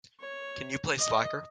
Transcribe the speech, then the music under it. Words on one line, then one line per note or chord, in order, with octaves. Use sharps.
Can you play Slacker?
C#5
D#5